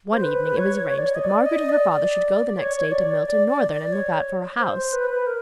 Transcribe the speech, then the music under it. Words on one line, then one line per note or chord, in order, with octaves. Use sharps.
One evening it was arranged that Margaret and her father should go the next day to Milton-Northern, and look out for a house.
C5
B4
C#5
C#5
D5
C#5
D#5
D5
D#5
D5
D5
C#5
D5
D5
D5
D5
C#5
C5
C5
B4
B4
A#4